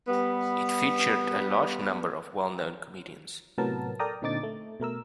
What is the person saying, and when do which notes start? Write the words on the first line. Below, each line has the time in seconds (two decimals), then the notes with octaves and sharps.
It featured a large number of well known comedians.
0.08 G3 B3
3.58 A2 C3 F#3 B3 A#4 A5
3.99 A4 A#4 D5 G5 A#5 D#6
4.22 A#2 D3 C4 D#4 D6 A6
4.43 A3
4.80 B2 A3 A#4 E6